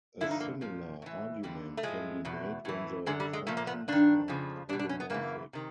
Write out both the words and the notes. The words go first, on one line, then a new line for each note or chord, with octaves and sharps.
A similar argument can be made when the functions are holomorphic.
G2 D3 F3 E4
D#4
A#3
A#2 F3
A2 E3
F2 D3 G3
A3
A2 F3 G#3
E2 B2
A2 E3
F#2 D3 G#3
G3
G#3
A#2 F3 A3
A#3
B3
G2 D#3 D4
F2 C#3 F3
E2 B2 D4
D4
C#4
B3
F#2 C#3 E3 A#3
C3 D#3